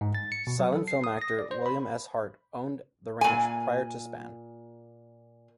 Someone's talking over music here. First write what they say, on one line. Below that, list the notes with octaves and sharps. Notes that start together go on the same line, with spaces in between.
Silent film actor William S. Hart owned the ranch prior to Spahn.
G#2
A6
C#7
B2
F#3
A4
C7
D#6
A#6
D5
C5
B5
A#2 G#5